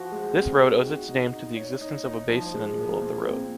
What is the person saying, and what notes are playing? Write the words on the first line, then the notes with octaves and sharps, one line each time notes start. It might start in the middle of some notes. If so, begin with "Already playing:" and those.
This road owes its name to the existence of a basin in the middle of the road.
Already playing: F3 F#4
G#3
C4
D#4
F#4
D#4
D#4
C#5
D#4
D#4
F3
G#3
F3
A#2
C4